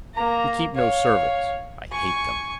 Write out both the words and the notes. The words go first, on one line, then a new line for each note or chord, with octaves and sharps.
We keep no servants--I hate them.
A#3 A#5
C#5 F5
G#5 C#6